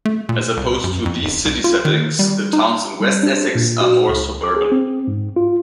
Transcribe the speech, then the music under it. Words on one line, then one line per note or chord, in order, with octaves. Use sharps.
As opposed to these city settings, the towns in West Essex are more suburban.
A3
A#2
C2
F#2
F2
D1
C2
F4
D#3
G3
D#4
G3
D4
A#2
F#4
C#2
D6
G#4
C4
G#2
F4